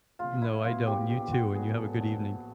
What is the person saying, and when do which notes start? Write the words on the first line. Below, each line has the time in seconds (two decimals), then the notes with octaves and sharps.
No, I don't, and you too, and you have a good evening.
0.19 A#1 F4
0.42 E4
0.64 A2 F#3 B3 F4
0.87 G4
1.09 A#1 G4
1.32 F#4
1.54 A2 F#3 B3 G#4
1.78 A4
2.00 A#1 A4